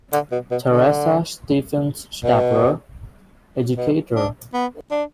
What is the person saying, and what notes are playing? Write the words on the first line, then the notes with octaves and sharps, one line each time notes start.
Theresa Stephens Stapler, educator.
D3
B2
B2
D3
B2
B2
D4
B3
D4